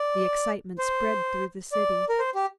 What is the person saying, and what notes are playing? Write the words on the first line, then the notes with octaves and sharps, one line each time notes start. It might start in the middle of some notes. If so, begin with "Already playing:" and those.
The excitement spread through the city.
Already playing: D5
C5
D5
A#4
C5
G4